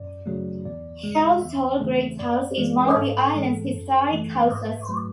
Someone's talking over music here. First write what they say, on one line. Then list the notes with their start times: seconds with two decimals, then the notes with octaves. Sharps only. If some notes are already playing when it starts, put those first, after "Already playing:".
Halse Hall Great House is one of the island's historic houses.
Already playing: F#2 D5
0.26 C#3 F#3 A3
0.65 E2 D5
1.03 C#3 G#3
1.41 E2 E5
1.80 C#3 E3 A3
2.19 F#2 D5
2.58 E3 G#3
2.84 B4
2.96 G#2 A4
3.35 E3 G#3
3.74 F#2
4.11 E3 A3
4.50 G#2 B4
4.89 F#3 A3